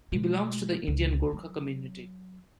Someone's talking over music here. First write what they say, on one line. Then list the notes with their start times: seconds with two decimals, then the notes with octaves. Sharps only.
He belongs to the Indian Gorkha community.
0.12 B2 G#3
0.87 C#2
1.33 F#3